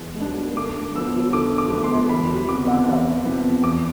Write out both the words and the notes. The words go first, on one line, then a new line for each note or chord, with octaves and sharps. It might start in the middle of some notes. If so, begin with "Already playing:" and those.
He immediately became Nealon Greene's back-up.
Already playing: E2 B2 B3
B2 B3 D4
D3 D6
F3 B3 E6
D3 D6
D6
F3 B3
C6
E2 B5
C3 F3 B3 D6
E2
C3 F3 B3
E2 D6